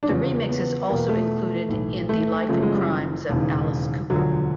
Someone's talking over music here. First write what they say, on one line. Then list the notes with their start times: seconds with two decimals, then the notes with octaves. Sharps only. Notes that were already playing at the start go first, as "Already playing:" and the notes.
The remix is also included in "The Life and Crimes of Alice Cooper".
0.03 D4
0.09 E2 C#3 F3 C#4
0.49 B3
0.89 E2 B2 A#3
1.09 A3
1.69 B1 A2 E3
2.09 A3
2.49 F#1 F#2 C#3 F3 A3
2.62 G#3
2.76 G3
3.29 E1 D#2 C#3 E3
4.10 E1 D2 D3 F3 F#3